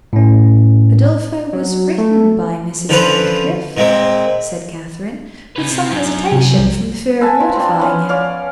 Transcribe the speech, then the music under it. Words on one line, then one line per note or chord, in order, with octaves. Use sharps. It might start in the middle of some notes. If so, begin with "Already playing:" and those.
"Udolpho was written by Mrs. Radcliffe," said Catherine, with some hesitation, from the fear of mortifying him.
A2 C#4
F#3
A3
D3 F3 C#4 B4 C5
A#2 G#3 C4
C#3 B4
C3
F#2
C3
B1 G3
B4 E5 G#5 A5
F3
C4 D4
B3 C#4
C#4 D5 F5